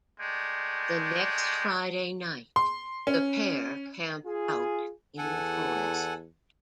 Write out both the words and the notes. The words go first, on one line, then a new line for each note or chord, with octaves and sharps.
The next Friday night, the pair camp out in the forest.
G#3 A3 D5 G5
C6
C#4
F4 G#4
E2 A4 F#5 G#5